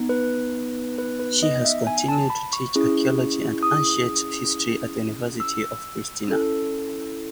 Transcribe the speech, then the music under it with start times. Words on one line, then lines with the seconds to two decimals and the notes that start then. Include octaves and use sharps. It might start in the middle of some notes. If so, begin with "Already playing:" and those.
She has continued to teach archaeology and ancient history at the University of Pristina.
Already playing: B3 D#4
0.09 B4
0.98 B4
1.19 B4
1.43 D#5
1.65 E5
1.87 G#5
2.08 A5
2.30 B5
2.53 C#6
2.75 C#4 E4 G#4
3.63 D#6
5.40 E6
6.28 C#4 E4 A4